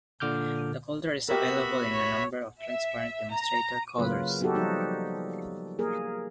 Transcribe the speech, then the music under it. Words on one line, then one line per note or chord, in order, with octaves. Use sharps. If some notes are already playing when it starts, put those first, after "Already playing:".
The Kultur is available in a number of transparent demonstrator colors.
A#2 D3 D6 F6 G6
B3 F#4 G4 A#4 E5 B5
C#5
E5
A#5
C#3 F#3 A#3 F4 B4
F#3 B3 D#4 F#4 G4 A4
F3 G3 D#4 F#4
A#3 G#4 A#4